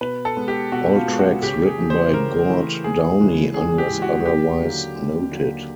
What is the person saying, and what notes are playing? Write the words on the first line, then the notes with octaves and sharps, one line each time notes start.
All tracks written by Gord Downie unless otherwise noted.
B2 B4
A4
G#3 B3
G4
B2 F#4
F4
G#3 B3
F#4
C#3 G4
G#4
E3 A3
C5
C#3 A#4
E3 A3
D#2 G#4
C#3 E3 G#3
D#2 G#4
G4
C#3 E3 G#3
F#4
F#4
D#2 G4
D3 F#3 A#3
D#2
D3 F#3 A#3